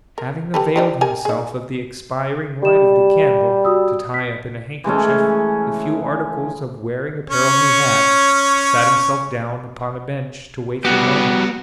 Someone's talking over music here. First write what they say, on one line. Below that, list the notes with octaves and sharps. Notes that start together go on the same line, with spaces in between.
Having availed himself of the expiring light of the candle to tie up in a handkerchief the few articles of wearing apparel he had, sat himself down upon a bench, to wait for morning.
A#4
G4 A4 B4
D4 D#4 G4
G4 A#4 G#5
D#4 G#4
G3 G4 E7
F#4 D#6 E6
B6
E3 G#3 A3 C#4
C#4 C#5
G3 B3 F#4 G4